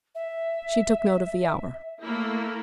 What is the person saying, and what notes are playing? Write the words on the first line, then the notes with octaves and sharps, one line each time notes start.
She took note of the hour.
E5
A3 A#3 E4